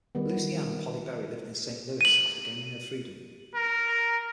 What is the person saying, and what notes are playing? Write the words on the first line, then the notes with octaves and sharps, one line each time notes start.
Lucy Ann and Polly Berry lived in Saint Louis after gaining her freedom.
D#3 G3 B3
D#7 F#7
A#4